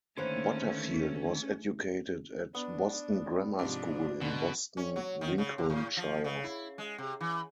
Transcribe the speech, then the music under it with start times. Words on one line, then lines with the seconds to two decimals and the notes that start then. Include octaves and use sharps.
Butterfield was educated at Boston Grammar School in Boston, Lincolnshire.
0.17 D3 D#3 A3 A#3 C#4 B4 C5
2.55 B3 D4
3.59 G#2 C3 F3 D4 D5
4.21 G#2 B2 D3
4.77 C#4
4.96 F#3
5.21 D#3
5.38 C#3
5.58 C3
5.70 A2
5.97 F3
6.24 C#3
6.44 E4
6.78 G#3
6.98 C3
7.21 E3